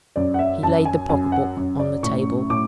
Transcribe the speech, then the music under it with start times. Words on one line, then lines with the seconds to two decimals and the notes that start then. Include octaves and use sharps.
He laid the pocket-book on the table.
0.16 F#2 D5
0.34 F#5
0.39 E5
0.63 F#2 A5
0.85 G#5
1.09 F#2 G#5
1.32 F#5
1.57 F#2
1.79 D5
2.03 A2 C#6
2.49 A2 D6